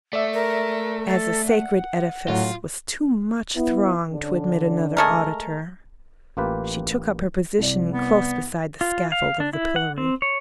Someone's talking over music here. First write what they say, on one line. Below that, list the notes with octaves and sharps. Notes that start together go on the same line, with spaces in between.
As the sacred edifice was too much thronged to admit another auditor, she took up her position close beside the scaffold of the pillory.
A3 D5 E5
A#4
A4
F#5
A2 F#3 F4 F#4
B3 E4
D3 C#4 D4
G#3 A3 A#4
A1 A#3 F4 G4 B4
C2 D5
B3
F4
F5
D4
E4
F#5
C4
C#5